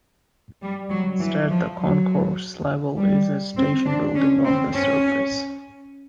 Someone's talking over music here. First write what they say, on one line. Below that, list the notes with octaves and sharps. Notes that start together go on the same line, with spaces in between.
Instead, the concourse level is in a station building on the surface.
G3
F#3
E3
F3
F#3
G3
C4
D4
C#4
C4
C#4